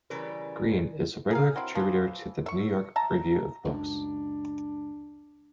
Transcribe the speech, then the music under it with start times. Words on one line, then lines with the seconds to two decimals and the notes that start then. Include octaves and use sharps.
Green is a regular contributor to the "New York Review of Books".
0.10 C#3 E3 G3 A#4 B4
1.31 G#4 A#4 F5
1.56 F#3 C4 E4
1.75 E3 F3
2.46 E5 C#6
2.96 E5 A5 A#5
3.65 C#2 F#2 D4